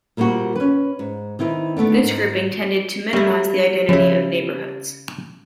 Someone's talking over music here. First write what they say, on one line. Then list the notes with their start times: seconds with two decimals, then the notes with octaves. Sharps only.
This grouping tended to minimize the identity of neighborhoods.
0.17 A#2 G3 A#3 C4 F#4
0.56 C#4 B4
0.99 G#2
1.39 D#3 C4 E4 B4
1.77 D3 A3 B3 D4
2.03 G#2
3.13 G3 A3 E4
3.89 C#3 F3 E4